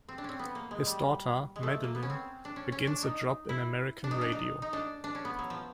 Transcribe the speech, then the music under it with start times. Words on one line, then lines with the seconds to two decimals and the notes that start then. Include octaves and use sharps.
His daughter, Madeline, begins a job in American radio.
0.08 C4
0.18 D4
0.24 C4 C#4
0.39 B3
0.55 A#3
0.71 G#3
0.86 G3
1.56 G#3
1.63 A3
1.84 A#3
1.95 B3
2.03 C#4
2.10 C4
2.45 D4
2.56 C#4
2.72 C#4
2.87 D4
3.03 D#4
3.49 E4
4.04 D4
4.11 D#4
4.21 D4
4.32 D#4
4.62 D#4
4.73 D4
5.04 D4
5.15 C#4
5.25 B3
5.39 F#3
5.50 F3